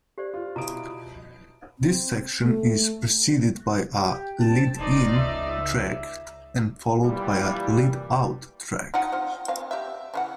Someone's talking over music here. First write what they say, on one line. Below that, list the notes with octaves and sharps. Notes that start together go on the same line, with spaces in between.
This section is preceded by a "lead-in" track and followed by a "lead-out" track.
G4 C5 D5
F4
B2 E4 A#5 D#6 D7
C4
A3
G4
C4 A5
E1 D#4 D5 C6
C#2 E5
A#2 E3 G3
D#4 F4 F#5
C4 F4 F#5
C4 F5
G4 E5
C#3 E3 F#5